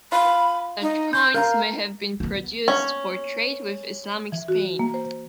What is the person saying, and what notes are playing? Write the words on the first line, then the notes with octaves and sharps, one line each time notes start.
Such coins may have been produced for trade with Islamic Spain.
F4 B5
D#4
C6 G6
A#4 F5 A#5
A#3 B3
C#4
E3
F#4
A#3
C5